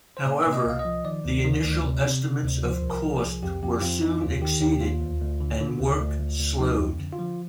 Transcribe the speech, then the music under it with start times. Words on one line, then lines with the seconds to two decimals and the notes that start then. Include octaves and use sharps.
However, the initial estimates of cost were soon exceeded, and work slowed.
0.17 C5
0.25 A#2 D5
0.46 A#2
0.53 D#5
0.65 C2 F5
0.79 D#5
0.85 F3
1.05 D#3 D5
1.25 D2
1.44 D#3
1.64 D2
1.84 C3
2.04 C3
2.24 C3
2.43 D2
2.63 F3 C5
2.83 C2
2.90 A#4
3.03 F3
3.16 G#4
3.23 C2
3.43 F2 G4
3.62 F2 G4
3.81 F2 F4
4.01 F2 D#4
4.21 D#2 F4
4.41 D#3 G4
4.61 D#2 G4
4.81 D#2 F4
5.01 D2
5.21 D2
5.40 D3
5.60 D3
5.80 D2
6.00 D2
6.20 D2
6.39 D2
6.59 F3 D#4
6.78 F2
6.99 D3
7.12 F4
7.19 F3